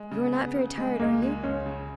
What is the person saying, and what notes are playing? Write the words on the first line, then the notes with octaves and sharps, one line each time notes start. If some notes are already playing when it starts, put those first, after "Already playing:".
You are not very tired, are you?
Already playing: G#3
C#3
B3
C#3
G#3
C#2 A#3
G#3
C#2 C#4
C#3